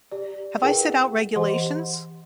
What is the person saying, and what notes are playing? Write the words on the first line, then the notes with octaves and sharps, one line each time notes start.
Have I set out regulations?
G4 D5
E4 G#4 A#4 B4 F#5 G5
E3 G4 C5 D#5 F#5 C6